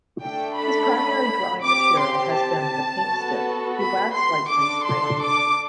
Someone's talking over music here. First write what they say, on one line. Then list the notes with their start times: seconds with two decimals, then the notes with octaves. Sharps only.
His primary drawing material has been the paintstick, a wax-like grease crayon.
0.22 A3 D4 A4 G5
0.57 B5
1.64 C4 G4 D6
2.00 C6
2.35 A5
3.07 B3 F#4 A4
3.77 B5
4.14 C6
4.49 D4 A4 D6
4.85 C6
5.21 D6